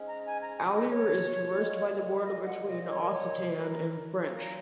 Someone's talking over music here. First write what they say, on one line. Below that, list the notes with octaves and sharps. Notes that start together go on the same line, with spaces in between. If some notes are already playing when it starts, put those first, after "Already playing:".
Allier is traversed by the border between Occitan and French.
Already playing: G#2 G#3 C#4
A#5
G#5
A#5
G#5
D#5
C#5
A#2 F#3 D#4
D#5
F#5
D#5
C#5
A#4
C#5
A#4
A#2 F#3 A#3 C#5
A#5